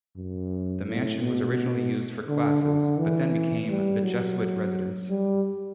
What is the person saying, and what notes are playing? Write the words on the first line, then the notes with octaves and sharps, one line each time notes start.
The mansion was originally used for classes, but then became the Jesuit residence.
F#2
A2
B2
D3
D3
E3
G3
F#3
G3